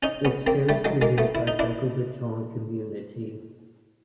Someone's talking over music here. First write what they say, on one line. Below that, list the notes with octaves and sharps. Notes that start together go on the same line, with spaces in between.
It serves the nearby Boca Raton community.
C#4 D#4
B3 C#4
A#3 C4
G3 A3
F#3 G#3
G#3 A#3
A3 B3
E4
D#4
D4 E4